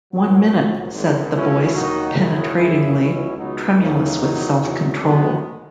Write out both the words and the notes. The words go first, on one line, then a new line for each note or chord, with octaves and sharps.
"One minute," said the Voice, penetratingly, tremulous with self-control.
A#1 A#2 F#3
A#1 A#2 F#3
G#1 G#2 E3
C#2 B2 F#3 C#4 E4
D#2 D#3 F#3 D#4 F#4
F#1 F#2 D#3 F#3 E4 G#4
F#1 F#2 E3 E4 G#4
C#2 B2 F#3 C#4 E4
C#2 B2 F#3 B3 D#4
D#2 C#3 E3 B3 D#4
E2 D#3 F#3
E2 B2 F#3
G#1 F#2 D#3 F#3 G#3 B3